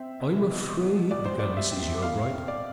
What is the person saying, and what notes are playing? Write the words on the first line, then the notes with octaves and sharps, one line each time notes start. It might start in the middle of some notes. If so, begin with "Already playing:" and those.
"I am afraid--" began Mrs. Yeobright.
Already playing: C4 E5
B2
B2
B3
C2 D5
C5
G3 D5
E5
C4
B2 F5
C4
D5